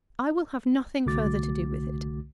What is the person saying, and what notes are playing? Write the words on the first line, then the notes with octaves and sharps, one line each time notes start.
I will have nothing further to do with it.
C2 D3 A3 F#4 D6 A6